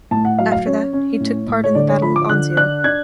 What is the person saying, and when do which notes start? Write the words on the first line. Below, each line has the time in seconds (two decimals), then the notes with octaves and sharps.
After that he took part in the Battle of Anzio.
0.11 A2 A5
0.25 F#5
0.39 F#3 F5
0.52 F5
0.66 C#4 C#5
0.93 C#4
1.20 A2
1.48 A2
1.64 C#5
1.75 D3 D5
1.88 C#5
2.02 F3 B5
2.16 D6
2.29 D3 F#6
2.57 D4 F#6
2.84 D4 G#6